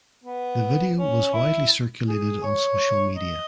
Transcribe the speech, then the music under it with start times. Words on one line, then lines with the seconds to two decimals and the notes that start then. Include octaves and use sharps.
The video was widely circulated on social media.
0.24 B3
0.97 C#4
1.33 E4
2.07 G#4
2.44 C#5
3.16 D#5